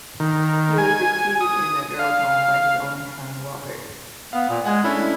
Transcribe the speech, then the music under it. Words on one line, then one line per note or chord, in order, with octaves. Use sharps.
He was succeeded in the earldom by his only son Robert.
D#3
G#5
D#6
F5
B3 F5
A#2
G#3 F#5 G#5
A3 C#4 D4 E4